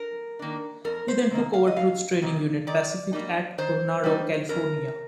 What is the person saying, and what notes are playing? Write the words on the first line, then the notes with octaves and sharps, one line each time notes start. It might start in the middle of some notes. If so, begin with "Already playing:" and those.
He then took over Troop Training Unit Pacific at Coronado, California.
Already playing: A#4
D#3 A#3 D4
F2 A#4
C5
C3 D#3 A#3
F5
D#5
F2 F5
C3 D#3 A#3
D#3 D5
G3 A#3 D#4
D#3 C5
G3 A#3 D#4
F2 A#4